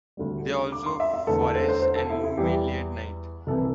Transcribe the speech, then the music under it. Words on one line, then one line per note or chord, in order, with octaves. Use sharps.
They also forage and move mainly at night.
D2 D3 G3
D6
C6
E5
E5
E2 D3 A3 A4
A4
C5
C5
C5
A4
E4
E4
E2 E3 G3 G4
C2 C3 E3 A4